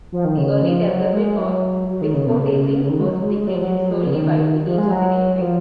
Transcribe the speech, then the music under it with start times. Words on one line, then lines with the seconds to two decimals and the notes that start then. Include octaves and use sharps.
The early development of Biscotasing was dictated solely by the needs of the railway.
0.12 F3
0.25 D#3
0.37 C#3
0.62 F3
0.87 F#3
1.13 G#3
1.38 F#3
1.88 F#3
2.01 D#3
2.14 C#3
2.26 B2
2.39 C#3
2.80 C#3
2.89 D#3
3.00 G#3
3.06 F#3
3.23 G#3
3.40 G#3
3.47 F#3
3.55 F3
3.63 F#3
3.90 F3
4.07 C#3
4.15 D#3
4.41 D#3
4.65 F3
4.78 G#3
4.91 F#3
5.36 F#3
5.41 F3